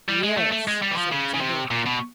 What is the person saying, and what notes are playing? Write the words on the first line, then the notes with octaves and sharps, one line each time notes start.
"Yes," said the doctor.
G3
G#3
A3
A3
G#3
G3
E3
F3
C#3
C#3
C3
A#2
B2